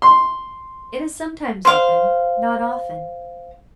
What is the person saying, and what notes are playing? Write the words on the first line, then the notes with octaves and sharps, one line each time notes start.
It is sometimes open--not often.
C6
C5 F5